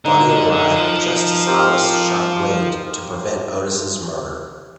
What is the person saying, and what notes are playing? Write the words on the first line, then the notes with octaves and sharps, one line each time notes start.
Buddy arrived just as Hollis shot Wade to prevent Otis's murder.
D3 D#4 A#4 F5
D3
D3
F3
C4 G4 A#4 F5